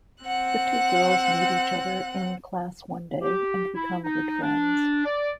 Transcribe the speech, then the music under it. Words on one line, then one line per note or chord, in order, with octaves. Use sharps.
The two girls meet each other in class one day and become good friends.
C4 F#5 F#6
G4
E4
D#4
D4
D5